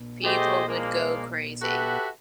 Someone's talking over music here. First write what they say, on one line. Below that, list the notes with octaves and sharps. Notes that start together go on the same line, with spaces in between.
People would go crazy.
A3 G4 G#4 C5 D#5
A#2 F3 G#3 A#3
F#4 G4 A4 B4 E5 F#5